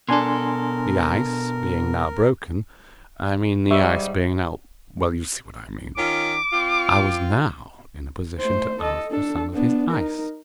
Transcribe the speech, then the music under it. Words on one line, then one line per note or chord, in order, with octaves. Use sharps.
The ice being now broken--I mean the ice being now--well, you see what I mean--I was now in a position to ask for some of his ice.
B2 D4 A4 A#4 G#5 C6
G#2 G3 E5 C#6
D#3 C#4 F4 D6
C4 F4
A3 C5
A4 D#5
D4 A4
B3 D4
D#4 A#4